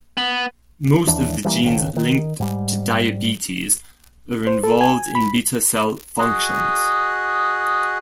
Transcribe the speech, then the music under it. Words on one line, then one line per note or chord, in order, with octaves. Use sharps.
Most of the genes linked to diabetes are involved in beta cell functions.
B3
D#2 E3 D4
E3 G3 A3 A#3
G#1 C#2 D#3
D#3
G#2 G3
C5
A4
G#5
B5
F#4 G#4 D#5